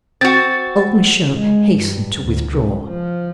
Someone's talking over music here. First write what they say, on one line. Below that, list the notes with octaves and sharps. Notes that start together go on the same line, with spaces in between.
Old Michaud hastened to withdraw.
C4 F#4 A6
G#3
G2
D2
C#2
F3